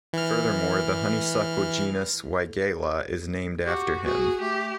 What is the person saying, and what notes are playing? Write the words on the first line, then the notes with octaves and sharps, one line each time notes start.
Furthermore, the honeysuckle genus "Weigela" is named after him.
E3 F6
F#4 G4
F#4 G#4
A3 G4